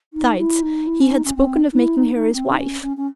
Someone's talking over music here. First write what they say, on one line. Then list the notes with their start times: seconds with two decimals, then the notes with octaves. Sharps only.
Besides, he had spoken of making her his wife.
0.14 D#4
0.38 E4
0.63 D#4
0.87 E4
1.01 C#4
1.11 D#4
1.25 C#4
1.36 C4
1.73 D#4
1.78 E4
1.97 D#4
2.15 D#4
2.33 C4
2.53 D#4
2.58 C#4
2.82 C#4
2.97 C#4